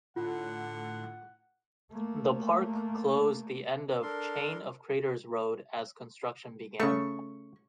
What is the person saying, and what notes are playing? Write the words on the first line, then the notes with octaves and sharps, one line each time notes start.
The park closed the end of Chain of Craters Road as construction began.
A2 D3 F4 F#5
A3 A#3
D4 A4 A#4 C6
C#3 A3 C#6